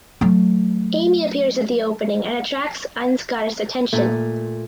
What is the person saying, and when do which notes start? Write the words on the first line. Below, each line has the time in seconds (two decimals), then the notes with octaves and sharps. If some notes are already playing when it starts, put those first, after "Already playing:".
Amy appears at the opening and attracts Ansgar’s attention.
0.21 F#3 A3
3.93 A#2 A3